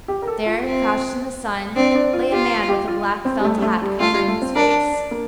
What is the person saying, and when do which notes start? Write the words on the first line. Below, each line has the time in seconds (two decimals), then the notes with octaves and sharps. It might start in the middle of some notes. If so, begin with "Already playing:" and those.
There, crouched in the sun, lay a man with a black felt hat covering his face.
0.08 G4
0.22 A#4
0.27 A4
0.46 F4
0.64 C4
1.76 C4 D4
1.95 D4
2.13 F4
2.32 F4 G4
2.69 G4
2.88 F4
3.25 C4
3.40 G3
3.44 A3
3.58 G3
3.62 A3
3.82 G3
4.00 A3 F4
4.13 G3
4.28 A3
4.42 C4
4.56 D4 A#4
4.93 D4
5.11 A#3